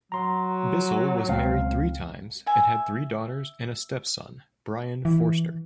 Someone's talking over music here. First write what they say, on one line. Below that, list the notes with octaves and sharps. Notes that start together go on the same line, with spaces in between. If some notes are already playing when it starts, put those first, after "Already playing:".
Bissell was married three times and had three daughters and a stepson, Brian Forster.
F#3 A#5 C6
C#2 C4 F5
E5 G#5
E3